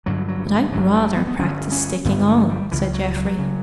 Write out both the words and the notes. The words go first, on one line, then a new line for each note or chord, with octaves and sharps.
"But I'd rather practise sticking on," said Geoffrey.
G1 G2 D3 F#3
F#3
G3
G1 G2 D3 F#3
G3
B3
B3
G1 G2 D3 C#4
C#4
G1 G2 D3 B3
A3
G3
C#2 C#3 E3
F#3
F#3
C#3